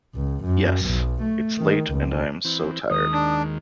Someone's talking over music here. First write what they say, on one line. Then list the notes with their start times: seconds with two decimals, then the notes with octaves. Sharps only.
Yes; it's late, and I'm so tired.
0.15 C#2
0.44 F#2
0.85 B1
1.22 A3
1.58 D#3
1.91 C#2
2.45 E3 C4
2.90 D#2 D#3 G#3 D#6
3.13 D4